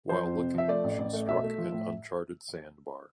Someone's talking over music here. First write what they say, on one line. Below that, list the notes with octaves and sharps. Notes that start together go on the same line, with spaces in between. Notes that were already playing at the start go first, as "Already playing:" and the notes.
While looking, she struck an uncharted sand bar.
F3 C5
F2
C3
F3 E5
A3 D5
A1
A1
A3
B1 E5
A3
F3
A2